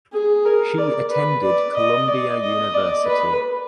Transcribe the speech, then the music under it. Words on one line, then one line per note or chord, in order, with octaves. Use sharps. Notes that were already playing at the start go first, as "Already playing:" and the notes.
She attended Columbia University.
G#4
A#4
D5
B4
D5
D#5
D5
D#5
D5
B4